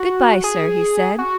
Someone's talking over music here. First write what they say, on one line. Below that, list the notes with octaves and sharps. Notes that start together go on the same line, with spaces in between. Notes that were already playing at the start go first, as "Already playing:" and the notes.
'Good-bye, sir,' he said.
Already playing: F#4
G#4
F#4